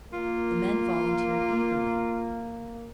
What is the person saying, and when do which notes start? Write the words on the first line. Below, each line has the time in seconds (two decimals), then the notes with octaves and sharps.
The men volunteered eagerly.
0.13 A#3 F4